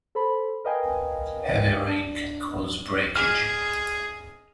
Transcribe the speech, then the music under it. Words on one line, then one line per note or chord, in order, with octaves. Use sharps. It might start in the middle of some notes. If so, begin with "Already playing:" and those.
Heavy rain can cause breakage.
A4 C5 B5
A#4 B4 D#5 F5 G5 G#5
D4
G#4 D#5 F6